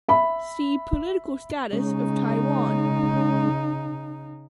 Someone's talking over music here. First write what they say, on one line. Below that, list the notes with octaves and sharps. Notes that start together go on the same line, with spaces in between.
See Political status of Taiwan.
E5 B5
C#3 G#3 C#4 D#4